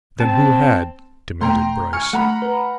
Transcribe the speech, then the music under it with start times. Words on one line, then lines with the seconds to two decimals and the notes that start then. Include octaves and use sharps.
"Then who had?" demanded Bryce.
0.20 C4 A5
1.41 B2 A3 G5 A#5 C6
1.93 G#5 C#6 F6 C#7
2.13 A3 F#5 A#5 B5
2.42 B4